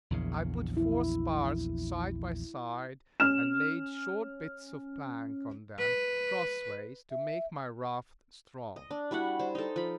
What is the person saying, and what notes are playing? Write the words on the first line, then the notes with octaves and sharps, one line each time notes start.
I put four spars side by side, and laid short bits of plank on them, cross ways, to make my raft strong.
A#1 E2 C#3
E4
C#4 F6 E7
B4
E5
D#5
D4
G3 E4 F#4 F#5
G3 C5
D#4 A4
F3 B5